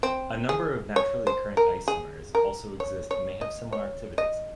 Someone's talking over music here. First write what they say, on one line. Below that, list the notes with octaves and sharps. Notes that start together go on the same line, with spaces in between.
A number of naturally occurring isomers also exist and may have similar activities.
C4
G#4
C#5
C5
A#4
G#4
A#4
C#5
C#5
D#5
C#5
D#5